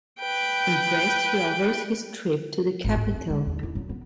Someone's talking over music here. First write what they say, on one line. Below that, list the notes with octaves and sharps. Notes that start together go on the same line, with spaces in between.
Impressed, he offers his trip to the capital.
B4 G5
G#1
G#2
C4
G#3
D#2
E4
F#3
B3